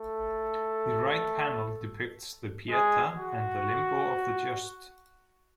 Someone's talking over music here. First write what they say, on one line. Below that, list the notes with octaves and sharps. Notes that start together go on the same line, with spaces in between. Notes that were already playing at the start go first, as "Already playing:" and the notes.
The right panel depicts the Pietà and the Limbo of the Just.
Already playing: A3 A4
G#3 G#4
F#4